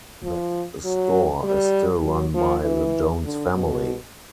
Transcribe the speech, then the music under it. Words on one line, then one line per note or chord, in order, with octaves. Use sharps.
That store is still run by the Jones family.
F3
F#3
G3
F#3
F3
E3
D3
B2